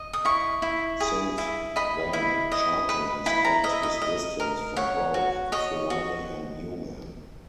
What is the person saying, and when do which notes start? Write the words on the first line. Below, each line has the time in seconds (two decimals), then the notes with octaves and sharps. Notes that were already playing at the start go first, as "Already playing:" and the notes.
Since then, Sharpton has kept his distance from both Fulani and Newman.
Already playing: D#5
0.13 D#6
0.25 E4 C#6
0.62 E4
1.00 G#4
1.38 E4
1.76 D#5 B5
2.13 E4
2.52 D#5
2.89 B4
3.26 E4 B5
3.45 A#5
3.64 D#5 E5
3.83 D#5
4.02 D#5
4.40 A#4
4.77 C#5 F#5
5.14 F#4
5.52 C#5 D#5
5.90 F#4